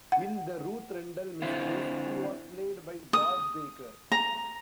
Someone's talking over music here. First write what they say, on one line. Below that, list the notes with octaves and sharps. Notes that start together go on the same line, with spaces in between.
In "The Ruth Rendell Mysteries" he was played by George Baker.
F#5
D3 C4 E4 F4
D#6
A#5